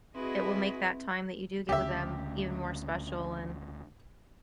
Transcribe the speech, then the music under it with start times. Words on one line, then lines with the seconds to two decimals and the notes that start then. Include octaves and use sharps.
it will make that time that you do get with them even more special and,
0.15 C4 E4 F#4 G#4 B4 D#5
1.69 D2 C#3 G4 E5